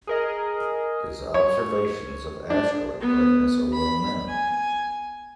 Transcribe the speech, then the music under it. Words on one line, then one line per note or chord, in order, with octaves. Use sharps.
His observations of asteroid brightness are well known.
G#4 A#4 D#5
C#5
D4
B3
B5
G#5